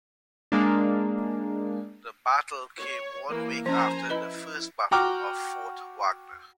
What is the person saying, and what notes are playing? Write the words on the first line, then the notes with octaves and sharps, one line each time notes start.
The battle came one week after the First Battle of Fort Wagner.
G#3 A#3 D4
C#5
E3 A#3
F3 C#4 C5 G#5 A#5
E4 B4 D#5 B5
F#4 F#5 G5 A#5 D6 F6